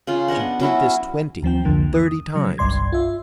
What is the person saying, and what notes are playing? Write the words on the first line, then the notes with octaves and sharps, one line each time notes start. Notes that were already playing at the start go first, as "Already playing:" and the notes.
She did this, twenty, thirty times.
C#3 F4
B3 D4 D#5 F#5
F#3 C#4 E4 F#4
D#2 F3 C4 G5
C2 F2 D3 F3 A#3
D#6
C#3 F#3
G1 C2 G2 D5 C6 G#6
F4 E5